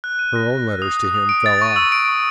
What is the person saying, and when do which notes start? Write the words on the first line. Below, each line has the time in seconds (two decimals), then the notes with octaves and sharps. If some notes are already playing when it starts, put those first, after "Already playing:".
Her own letters to him fell off.
0.04 F#6
0.19 D#7
0.36 A#6
0.51 F#6
0.67 F#6
0.82 D#6
0.97 F#6
1.14 D#6
1.29 D7
1.46 A6
1.62 C#6
1.76 E6
1.92 D7
2.08 C#6